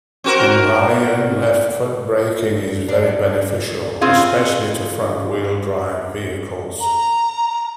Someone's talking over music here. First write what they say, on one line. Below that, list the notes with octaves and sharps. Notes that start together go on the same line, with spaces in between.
In rallying left-foot braking is very beneficial, especially to front-wheel drive vehicles.
C4 F#4 A#4
D4
C#3 C4 F4 G#4 F5
A#5